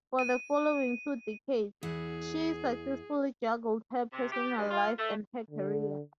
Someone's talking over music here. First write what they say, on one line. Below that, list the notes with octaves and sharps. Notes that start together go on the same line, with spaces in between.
For the following two decades, she successfully juggled her personal life and her career.
D#7
E2 E4 G#4 F#5
C3
G4
G2
F4
A3
D3